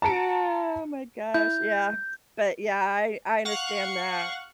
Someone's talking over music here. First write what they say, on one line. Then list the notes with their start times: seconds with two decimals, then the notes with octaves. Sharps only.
oh my gosh, yeah. But, yeah, I I understand that,
0.02 A5 A#5 C#7 D7
1.34 E4 G6
3.45 F5 F#5 C#6 F#6